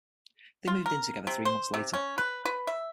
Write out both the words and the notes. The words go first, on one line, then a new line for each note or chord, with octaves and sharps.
They moved in together three months later.
F4
A#4
C3
C5
C3
C#4
B4
B4
E5